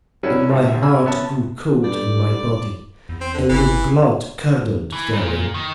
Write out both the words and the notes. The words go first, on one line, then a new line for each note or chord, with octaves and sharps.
And my heart grew cold in my body, and the blood curdled therein.
F#3 G3 C#4 D4 E4
G#1 G#2
D#2 C3 E5
G#5 A#5 B5 E6 F6
B3 C#4 E5 A5
G2 G4 A4 D5
E2
C4
D3
G1 E3
E3
A#2
D#3